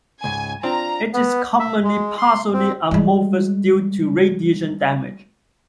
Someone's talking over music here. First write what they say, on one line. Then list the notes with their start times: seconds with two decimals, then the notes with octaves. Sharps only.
It is commonly partially amorphous due to radiation damage.
0.24 C#2 G#2 G#5
0.63 C4 D4 F4 A#5
1.14 B3
1.60 E5
1.84 G#3
2.18 C6
2.53 C4
2.91 G3 G#3